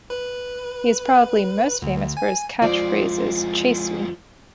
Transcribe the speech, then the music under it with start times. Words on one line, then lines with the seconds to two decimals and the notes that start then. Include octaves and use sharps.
He is probably most famous for his catch phrases Chase me!
0.10 B4
1.82 D2
2.17 G#5
2.62 F2 G#3 F4 C5 D5